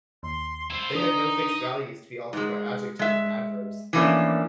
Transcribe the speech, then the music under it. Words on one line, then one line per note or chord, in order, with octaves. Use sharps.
They had no fixed values, to be altered by adjectives and adverbs.
D#2 C6
E4 C5
D4 D#4 A#5 D#6
G#2 G#3
G#3 E5
E3 F3 A3 A#3 C#4 D4